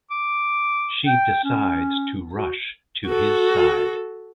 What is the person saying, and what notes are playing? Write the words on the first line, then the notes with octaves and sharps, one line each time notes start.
She decides to rush to his side.
D6
G5
C#4
F#4
F#4 A4